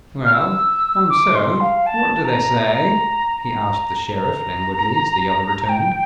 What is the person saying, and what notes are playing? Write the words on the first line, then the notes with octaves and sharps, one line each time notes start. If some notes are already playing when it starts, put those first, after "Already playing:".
"Well, Monceux, what do they say?" he asked the Sheriff, languidly, as the other returned.
F6
E6
D6
C6
F5
A5
A#5
A#5
A#5
A#5
G5